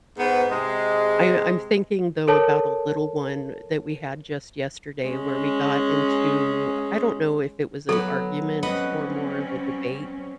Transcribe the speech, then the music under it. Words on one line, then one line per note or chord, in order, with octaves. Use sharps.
I'm I'm thinking, though, about a little one that we had just yesterday where we got into I don't know if it was an argument or more of a debate,
G#2 B3
C3 G#3
A4 A#4 C#5 A5
G#3 C#4
F#3 B3 A4
G3 C4 C#4 B4 D#5 F#5